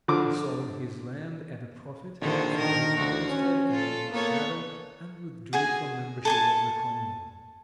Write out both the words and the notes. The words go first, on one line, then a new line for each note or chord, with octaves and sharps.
He sold his land at a profit, sold his homestead and all his cattle, and withdrew from membership of the Commune.
D3 F3 D6
A#1 D3 D#3 C5
D#3 A#4
D2 F3 F#4
C#4
F4 A4
A#3 B3 A4 C#5
F#4 G#4 G#5
A4 G#5 A5